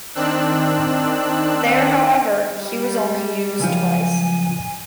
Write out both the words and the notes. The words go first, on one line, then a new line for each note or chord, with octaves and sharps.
There however, he was only used twice.
D#3 C4 D4 E6 F#6
G3
C#2 F#2 F3 G#5